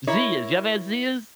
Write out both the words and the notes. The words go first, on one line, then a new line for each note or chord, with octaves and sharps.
Zea's. You ever had Zea's?
E4 A#4 C#5